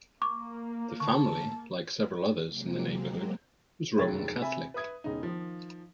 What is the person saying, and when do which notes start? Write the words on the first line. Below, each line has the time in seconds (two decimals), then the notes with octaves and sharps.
The family, like several others in the neighbourhood was Roman Catholic.
0.22 A#3 C#6 D6
1.00 D3 A5 C#6
2.45 C3 F#3 G#3 A#3 C4
3.98 F1 D#2 F#3 G#4 G#6 A6
4.42 C3 E5 G#5 B5
4.74 B4 E5 D#6 G#6
5.04 E1 C#3 D#4
5.23 D#3 F3